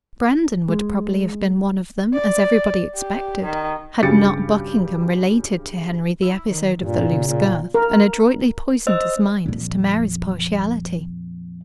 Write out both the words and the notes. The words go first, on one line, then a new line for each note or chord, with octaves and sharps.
Brandon would probably have been one of them, as everybody expected, had not Buckingham related to Henry the episode of the loose girth, and adroitly poisoned his mind as to Mary's partiality.
G#3
D5
G4
D#3
G2 C#3 F#3 G4 A6 C#7
E4
D#3
G2 A#2
C#3
A#2
A#4
C5 D#5 E6
F2 A#2